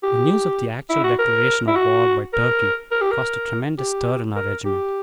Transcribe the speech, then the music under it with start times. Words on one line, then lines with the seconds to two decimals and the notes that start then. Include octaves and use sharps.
The news of the actual declaration of war by Turkey caused a tremendous stir in our regiment.
0.03 G4
0.90 E4
1.04 F#4
1.19 A#4
1.68 E4
1.76 F#4
2.33 A#4
2.91 A#4
3.01 G4
3.12 A#4
3.78 G4
4.36 A#4
4.65 G4